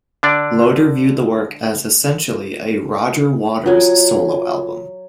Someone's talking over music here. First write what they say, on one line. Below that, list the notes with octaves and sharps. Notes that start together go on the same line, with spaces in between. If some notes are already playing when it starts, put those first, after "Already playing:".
Loder viewed the work as "essentially a Roger Waters solo album".
D3 D4 D5
F#3 F4 G#5